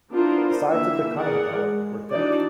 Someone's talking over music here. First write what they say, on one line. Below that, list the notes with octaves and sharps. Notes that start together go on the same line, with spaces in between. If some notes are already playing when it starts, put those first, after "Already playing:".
The sides of the conning tower were thick.
B3 D4 E4 F4 A#4 C5
D3 E3 A#3 E5
E3 G#4 A#4 D5 F#5
G#3
E3 D4 D#4 F#4 D5